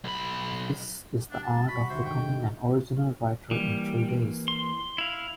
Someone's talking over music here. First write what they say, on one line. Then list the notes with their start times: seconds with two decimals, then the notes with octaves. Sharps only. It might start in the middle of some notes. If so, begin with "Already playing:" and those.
That is the art of becoming an original writer in three days.
0.04 B1 B5
1.31 D4
1.43 A5
1.68 C3 G3 F#4 B5 C#6
1.90 D#2 D3 C5 E5
2.06 G#2 D#3 A3 G5
3.51 E3 G3 A#3
4.48 C6
4.98 E4 F5